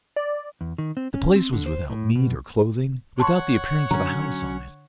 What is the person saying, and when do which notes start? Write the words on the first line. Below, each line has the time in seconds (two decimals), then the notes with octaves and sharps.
The place was without meat or clothing, without the appearance of a house on it.
0.16 D5
0.61 E2
0.78 D#3
0.97 C4
1.14 C#4
1.36 C4
1.53 D3
1.66 C5
1.90 A2
2.15 B2
3.20 C#5 F#5 A5 C6 C#6
3.91 D3 F#3 C#4 A#5